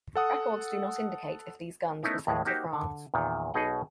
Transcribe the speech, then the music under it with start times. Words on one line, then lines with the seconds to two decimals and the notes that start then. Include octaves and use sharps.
Records do not indicate if these guns were sent to France.
0.15 A4 F#5 D#6
2.03 A3 B3 C#4 D#4 E4 A#4
2.27 D#2 A2 G#3
2.45 A#3 D#4 F#4 G4 C5
2.73 D3
3.14 E2 A#2 D#3
3.54 B1 B2 D#4 G#4 D#5 F#5